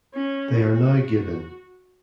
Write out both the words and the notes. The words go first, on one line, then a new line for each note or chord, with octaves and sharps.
They are now given.
C#4
F#4